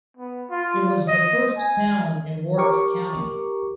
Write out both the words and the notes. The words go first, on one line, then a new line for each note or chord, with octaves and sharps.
It was the first town in Warrick County.
B3
F4
D#5
G#5
G4 A#4 C#6 D6